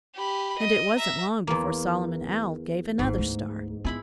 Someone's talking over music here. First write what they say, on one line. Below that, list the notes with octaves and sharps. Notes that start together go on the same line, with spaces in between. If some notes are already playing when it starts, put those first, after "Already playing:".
And it wasn't long before Solomon Owl gave another start.
G4 B5
D#5
E5 A#5
E2 A#3
G#1 G#2 F4
D2
G#3 B3 E4 F4 B5